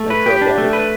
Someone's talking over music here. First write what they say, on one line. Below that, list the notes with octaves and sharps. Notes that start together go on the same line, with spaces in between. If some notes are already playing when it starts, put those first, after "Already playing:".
Like, drug addicts,
Already playing: A3
B4
G4
D4
A3
B4